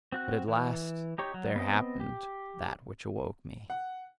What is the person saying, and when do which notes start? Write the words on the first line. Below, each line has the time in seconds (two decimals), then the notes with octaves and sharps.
But at last there happened that which awoke me.
0.12 C4 F#4 F#6
0.48 E3
1.18 D#4 G4 C#5
1.34 F#3
1.56 B3 C4 D#5
2.00 G4
3.70 F#5